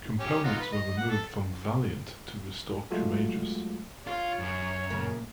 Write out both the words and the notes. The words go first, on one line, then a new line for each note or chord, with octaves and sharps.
Components were removed from "Valiant" to restore "Courageous".
C#4 G4
D#4 F4 F#4
B4
D#5
F#5
A4
F#3 G#3 A3 F4 F#4 A4
F4 C#5
F#2
A#2 C#3 A#3